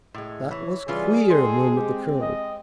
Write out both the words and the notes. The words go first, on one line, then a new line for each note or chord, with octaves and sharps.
"That was queer," murmured the colonel.
A2 G#3
E3 C#5
E3 G3 F4 G#4 B4
G#3 C4 A4 C5
G#3 C4 G4
D#5